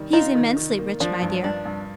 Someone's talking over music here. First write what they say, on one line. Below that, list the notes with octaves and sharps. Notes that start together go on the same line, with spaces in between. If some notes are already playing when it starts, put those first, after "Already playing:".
He's immensely rich, my dear.
Already playing: D#3 G3
D#4 F4
D#3
D#3
A#3
F3 D4
G2
G2 D4
G2